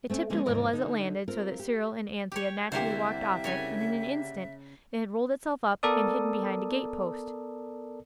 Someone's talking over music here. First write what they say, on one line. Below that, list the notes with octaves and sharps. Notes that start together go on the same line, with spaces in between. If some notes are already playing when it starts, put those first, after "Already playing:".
It tipped a little as it landed, so that Cyril and Anthea naturally walked off it, and in an instant it had rolled itself up and hidden behind a gate-post.
A3 C4 C#4
D3 F3 G#3 A#3 B3 C#4
D#2 G#2 C3 E3 A#4 D5
D3 D#4
C4 F4 A#4
G4
G4 C#5
C2 D3 A#3 G4 C5 C#5 E5 C6
C#3 C#5 G#5
B3 A4 A#4 D5 D#6